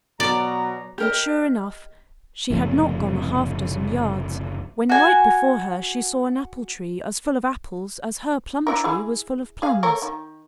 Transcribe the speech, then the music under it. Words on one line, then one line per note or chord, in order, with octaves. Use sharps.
And sure enough she had not gone a half dozen yards when, right before her, she saw an apple-tree as full of apples as her plum-tree was full of plums.
B2 F#3 D5 A#5
G4 A#4 D#5
F#1 C2 A2 F3
F#4 G#5
D4 E4 A#4
E4 G#4
G#4 F5
A3 A#4 C#5
D#3